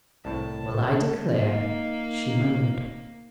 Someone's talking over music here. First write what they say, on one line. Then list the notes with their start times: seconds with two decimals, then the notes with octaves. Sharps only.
'Well, I declare,' she murmured.
0.25 C2 A2 A5
1.37 A#3 D#4